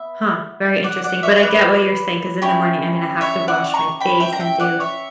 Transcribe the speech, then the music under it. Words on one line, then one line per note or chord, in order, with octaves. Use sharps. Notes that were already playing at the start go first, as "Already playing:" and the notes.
Huh, very interesting, but I get what you're saying 'cause in the morning I mean, I have to wash my face and do
Already playing: B3 E5
D5 F#5
D5 F#5
C#5 E5
B4 D5
C#4 E4 G4
C#5 E5
D5 F#5
A#5 C#6
G5 B5
E5 G5
A#5
E5 G5
D5 F#5
C#5 E5